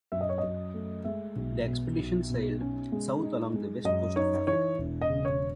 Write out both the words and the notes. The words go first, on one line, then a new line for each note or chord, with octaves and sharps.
The expedition sailed south along the west coast of Africa.
F#2 E5
D#5
C#5
F#2 D#5
A3
G#3 E5
B1
B2
B1
B2
C#4
G#3
D#4
G#3
F#2 D#5
D#4 C#5
E3 C#5
E1
D#5
C#3
C#5